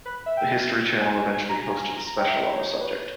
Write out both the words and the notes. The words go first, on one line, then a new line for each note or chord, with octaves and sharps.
The History Channel eventually hosted a special on the subject.
B4
E5
G5
G5
G#5
G#5
G#5
A#5
G#5
A#5
A#5
G5
E5
C#5
G4
C#5
B4